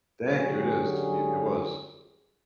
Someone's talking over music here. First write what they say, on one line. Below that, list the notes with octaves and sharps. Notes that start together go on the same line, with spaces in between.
Thank you, it is. Y it was.
D3 F#3 G3 C#4 G4 G#4